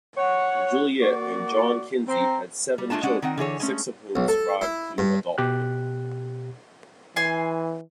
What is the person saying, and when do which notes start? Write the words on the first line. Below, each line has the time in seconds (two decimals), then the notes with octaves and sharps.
Juliette and John Kinzie had seven children, six of whom survived to adulthood.
0.17 C#5 F#5
1.02 A#3 F#4 D5
2.08 C4 A#5
2.78 G3
2.90 G#3 A3 D4 F4 A5
3.03 G#3 C#4 D4 D5 F#5
3.22 D#3 C4 F#5
3.38 D3 E3 G#4 C#5
3.60 G#3 A3 C#4
4.16 B1
4.28 A4
4.62 E4
4.98 G2
5.38 B2 G4 F#6
7.16 E3 G#5 C6